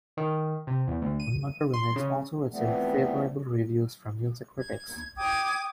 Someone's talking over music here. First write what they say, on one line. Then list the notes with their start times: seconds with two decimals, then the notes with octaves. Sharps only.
The "Murder Remix" also received favorable reviews from music critics.
0.17 D#3
0.67 C3
0.87 E2
1.02 D2
1.20 D#7
1.74 C6
1.96 C#3
2.52 E3 F3 G3 A3 B3 C4
4.60 G#6
5.17 G5 D6 D#6 G#6